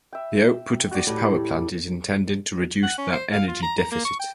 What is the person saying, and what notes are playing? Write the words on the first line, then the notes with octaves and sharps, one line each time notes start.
The output of this power plant is intended to reduce that energy deficit.
E5 G5
F#4 D5
A2 G3 G4
F#5
C#4
C5
F5
F4
A#5
A#5
A#3
C#6
G5